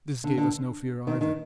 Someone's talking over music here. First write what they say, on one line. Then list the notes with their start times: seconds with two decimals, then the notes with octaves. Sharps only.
This gave us no fear either.
0.24 D3
0.38 D3
1.07 D#3
1.21 D#3